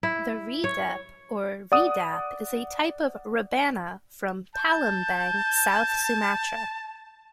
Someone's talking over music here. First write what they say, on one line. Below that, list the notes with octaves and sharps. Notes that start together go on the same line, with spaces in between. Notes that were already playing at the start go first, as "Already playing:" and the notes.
The redep or redap is a type of rebana from Palembang, South Sumatra.
E4
C#5
D5 F#5 D#6
A5 G6